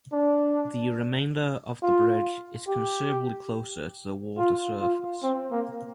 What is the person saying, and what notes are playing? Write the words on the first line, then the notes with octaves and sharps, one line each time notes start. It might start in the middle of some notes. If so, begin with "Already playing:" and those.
The remainder of the bridge is considerably closer to the water surface.
D4
F4
G4
F4
F4
C4
A#3